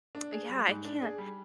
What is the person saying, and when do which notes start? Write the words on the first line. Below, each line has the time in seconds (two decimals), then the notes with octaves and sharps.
yeah, I can't
0.15 D4
0.32 G#4
0.49 G3
0.68 G#2
0.85 D4
1.02 G#4
1.18 G3